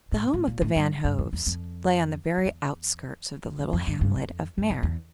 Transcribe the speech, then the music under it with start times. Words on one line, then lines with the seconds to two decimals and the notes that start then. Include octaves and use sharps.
The home of the Van Hoves lay on the very outskirts of the little hamlet of Meer.
0.12 A2
0.34 A2
0.47 A#2
0.62 A2
0.76 G2
1.04 G2
1.18 F2
1.33 E2
1.47 F2
2.37 F2
2.45 E2
3.45 E2
3.59 F2
3.73 F2
3.87 G2
4.01 G2
4.16 F2
4.58 G2
4.70 F2
4.83 E2